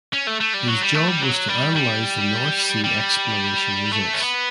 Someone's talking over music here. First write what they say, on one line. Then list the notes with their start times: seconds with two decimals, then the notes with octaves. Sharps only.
His job was to analyse the North Sea exploration results.
0.13 C#4
0.27 A3
0.40 A3
0.54 G3
0.68 F#3
0.81 G3
0.94 A3
1.08 G3
1.22 F#3
1.48 G3
1.76 G3
2.84 G3
3.93 A3
4.13 C#4
4.19 B3